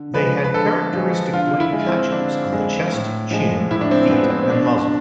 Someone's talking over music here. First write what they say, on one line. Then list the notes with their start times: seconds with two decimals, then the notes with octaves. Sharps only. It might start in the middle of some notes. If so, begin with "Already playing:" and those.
They had characteristic white patches on the chest, chin, feet, and muzzle.
Already playing: D3
0.14 F3 G#3 B4
0.44 B4
0.54 D3 A4
0.93 F3 G#3
1.33 D3 F4
1.60 E4
1.73 G#3
1.87 C4
2.12 D3 D4
2.53 G#3
2.92 A2
3.31 F3 G#3
3.71 A2 E4
3.81 D4
3.91 C4
4.10 F3 G#3 B3
4.30 C4
4.43 C4
4.50 B2 D4
4.78 D4